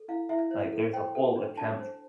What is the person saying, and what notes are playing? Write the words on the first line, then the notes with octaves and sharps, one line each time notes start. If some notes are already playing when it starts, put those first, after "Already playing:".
Like, there's a whole attempt
Already playing: A4
E4 F5
E4 E5
C5
A4
C5 G5
A4
D4
D4 A5
C5